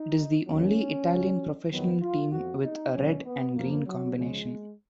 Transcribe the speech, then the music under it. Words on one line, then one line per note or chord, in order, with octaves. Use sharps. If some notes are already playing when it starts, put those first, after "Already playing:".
It is the only Italian professional team with a red and green combination.
Already playing: D#4
D#2 D#3 F#3 C#4
C#2 C#3 F#3
F2 D#3 F#3 B3
F4
F2 F3 F#4
D#4
C#2 B2 F#3 C#4
B3
F#2 F3 A#3
F#3
C#2 C#3 F3 G#3